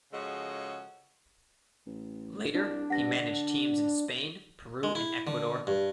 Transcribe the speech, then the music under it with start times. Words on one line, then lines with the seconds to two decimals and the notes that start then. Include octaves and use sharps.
Later, he managed teams in Spain, Peru and Ecuador.
0.12 C#3 F3 G#3 F#4 A4 D#5
1.86 A1
2.54 C2 D4
2.90 G2 F#5 A#6
3.18 D3
4.83 G#3
4.95 E4
5.27 D3
5.67 G2